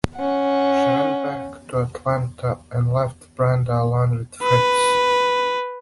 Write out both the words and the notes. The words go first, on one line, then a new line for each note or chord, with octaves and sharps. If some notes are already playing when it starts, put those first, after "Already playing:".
She went back to Atlanta and left Brenda alone with Fritz.
C#4 F#5
B4